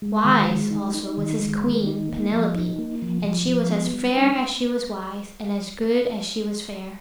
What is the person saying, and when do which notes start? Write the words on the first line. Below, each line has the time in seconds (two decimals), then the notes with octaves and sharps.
Wise, also, was his Queen, Penelope, and she was as fair as she was wise, and as good as she was fair.
0.02 G#3
0.25 D#3
0.48 G#3
0.70 D#4
0.94 D#4
1.17 D#3
1.39 G#3
1.63 D#3
1.86 D#4
2.09 A#3
2.32 F3
2.55 D#4
2.78 A#3
3.02 F3
3.25 F3
3.48 F3
3.71 B3
3.94 G3
4.17 D4